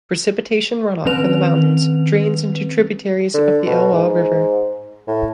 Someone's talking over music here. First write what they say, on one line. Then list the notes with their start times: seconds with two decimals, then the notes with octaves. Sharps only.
Precipitation runoff from the mountain drains into tributaries of the Elwha River.
1.05 D#3 C4 C#4 B4 F7
3.34 D3
3.66 B2
3.92 G#2
5.07 A2